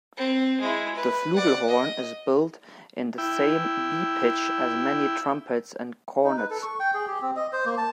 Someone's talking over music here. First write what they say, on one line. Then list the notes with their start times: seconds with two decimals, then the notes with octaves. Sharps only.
The flugelhorn is built in the same B pitch as many trumpets and cornets.
0.17 C4
0.60 G#3 E4
0.95 B4
1.36 D5 F#5
1.68 D#5
3.18 E4 G5
6.24 D#4
6.37 B4
6.51 A4
6.63 C#6
6.80 G5
6.94 G#4
7.07 G4
7.22 C4
7.36 D#5
7.53 C5
7.66 A#3
7.78 A5